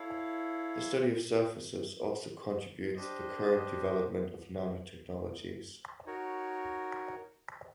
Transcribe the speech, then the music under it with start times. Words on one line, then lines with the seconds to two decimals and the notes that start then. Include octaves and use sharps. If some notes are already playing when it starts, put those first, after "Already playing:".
The study of surfaces also contributes to the current development of nanotechnologies.
Already playing: E4 A4 C#5 F5
2.95 D4 G4 C5 D#5
6.06 D#4 F#4 A#4 C#5